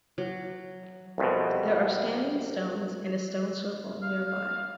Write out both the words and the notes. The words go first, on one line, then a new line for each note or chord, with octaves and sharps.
There are standing stones and a stone circle nearby.
F#3
C2 F2 B2
F5